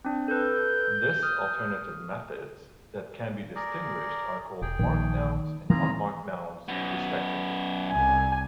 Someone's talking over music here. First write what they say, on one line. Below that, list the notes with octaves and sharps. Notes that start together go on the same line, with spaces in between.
This alternative methods that can be distinguished are called marked nouns and unmarked nouns respectively.
C4 D4
A4 B4 G6
D#6 F6
G#4 A#4 D5
E1 G#4 G5
A#1 A#2 D#3
D#3 E3 A3 C4 F4 G#4 A#5
F#2 B3
C2 G#5